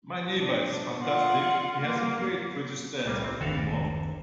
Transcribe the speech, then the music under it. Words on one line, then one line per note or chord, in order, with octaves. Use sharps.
My neighbour is fantastic; he has a great British sense of humour.
D4
F4 F#5
A#3
C2 G3 A#3
A1 C4
F#1 D2 D#3 F#4 A4 F5